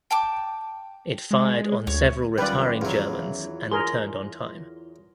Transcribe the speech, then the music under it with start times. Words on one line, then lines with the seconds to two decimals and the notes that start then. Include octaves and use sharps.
It fired on several retiring Germans and returned on time.
0.11 G5 A5 D6
1.31 G#3
1.87 D2 C#5
2.38 F#2 D#3 G3 F4 G4 B4 D5
2.81 E2 F#3 E4 F4
3.72 G#4 A#4 C6